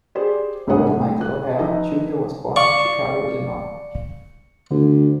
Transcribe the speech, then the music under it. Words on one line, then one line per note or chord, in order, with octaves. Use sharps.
Robert Michael O'Hare, Junior was born in Chicago, Illinois.
G4 G#4 C5 D5
G1 D2 C3 G#3 F#5 D#6
A2
F#6
F3 D#4 B4 D#5 E5
D5 F5 C#6
D2 D3